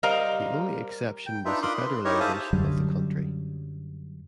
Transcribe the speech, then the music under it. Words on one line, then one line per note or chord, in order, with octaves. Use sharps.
The only exception was the federalization of the country.
G3 A#4 C5 D#5 F5 A#5
G5
D4 D#4 F4 B4 E5
F4 A#4 B5 C6 D6 D#6
B4
D#4 E4 G4 A#4 C#5 D#5
G#4 C5 E5 F5 G#5 A5
F#2 D3 F#3 G3